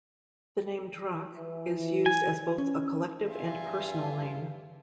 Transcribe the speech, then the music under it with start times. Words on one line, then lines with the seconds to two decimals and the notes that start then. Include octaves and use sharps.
The name "Drakh" is used as both a collective and personal name.
1.34 E3
2.06 G#5
2.58 C#4
3.29 G2 F4 E5 G#5